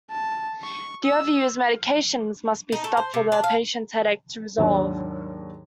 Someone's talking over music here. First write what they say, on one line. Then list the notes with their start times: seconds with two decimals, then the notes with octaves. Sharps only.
The overused medications must be stopped for the patient's headache to resolve.
0.11 A5
0.62 C#6
1.05 E6
2.72 D#4
2.84 A3
2.97 C5
3.14 C3
3.32 D4
3.44 F5
4.58 D#2 G#2 F#3 D4